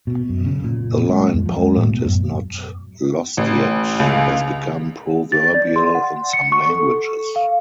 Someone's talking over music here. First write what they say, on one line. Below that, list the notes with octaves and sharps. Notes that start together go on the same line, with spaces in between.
The line "Poland is not lost yet" has become proverbial in some languages.
B2
F#2
C#3
A#2
A#2
G#3
F2
F3
G#3
A2
B2
F#2
A1
C#2
A6
D5
C6
F#5
C#7
C#6
A4
F5